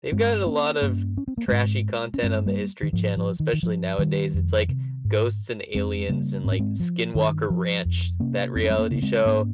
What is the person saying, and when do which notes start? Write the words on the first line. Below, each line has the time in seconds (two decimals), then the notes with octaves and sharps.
They've got a lot of trashy content on the History Channel, especially nowadays. It's, like, ghosts and aliens and, like, Skinwalker Ranch, that reality show,
0.12 G2 G#3 C4
0.47 A#3 C#4
0.82 G2 A#3 C#4
1.17 C#4
1.28 C4
1.38 A#3
1.48 G#2 G#3 C4
2.14 C#4
2.23 G2 G#3 C4
2.46 G3 A#3
2.83 D#3
2.93 G#2 F3
3.17 F3
3.40 D#3
3.53 D#3
3.63 G2 F3
3.99 D#3 G3
4.34 F2
4.69 C3
5.05 G#2
5.75 F2 G#3 C4
6.09 C#3 G3 A#3
6.44 G#2 C4
6.52 C#4
6.59 G#3 C4
6.80 F3
7.15 G2 D#3
7.50 F3
7.85 F2
8.20 C3 A#3 C#4
8.56 F2 C4
8.63 C#4
8.70 G#3 C4
8.79 A#3 C#4
8.91 C#3 A#3
9.02 G#3 C4
9.26 G#2 A#3 C#4